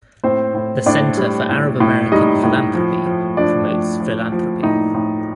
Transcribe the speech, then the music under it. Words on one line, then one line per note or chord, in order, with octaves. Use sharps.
The Center for Arab-American Philanthropy promotes philanthropy.
A2 C4 C5
A2
A2 D4 D5
G3
A2
A2
G3 D#4 D#5
A2
F3
F3
F3 D4 D5
F3
F3
F3
A2 D#4 D#5
A2